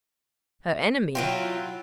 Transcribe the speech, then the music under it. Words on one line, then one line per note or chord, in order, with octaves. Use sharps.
"Her enemy?"
F#3 E4 F4 G5 D7